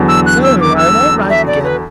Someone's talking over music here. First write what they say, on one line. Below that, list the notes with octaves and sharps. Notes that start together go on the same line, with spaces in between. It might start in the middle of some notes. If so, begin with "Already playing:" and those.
So I am all right again.
Already playing: E2 D3 F#3 D4 A4
E6
F#6
E6
D6
E6
E5
D5
B4